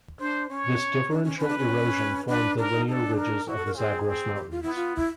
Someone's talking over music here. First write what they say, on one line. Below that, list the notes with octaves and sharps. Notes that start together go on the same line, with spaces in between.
This differential erosion formed the linear ridges of the Zagros Mountains.
D4 C5
C#4 C#5
D4
C#4
C#4 B4
D4
C#4
D4 B4
D4 A#4
D#4
D4 D#4 A4
A#4
E4 F#4
A4
A#4
C4 G#4
C4
G4
F4
B3 E4
F4
E4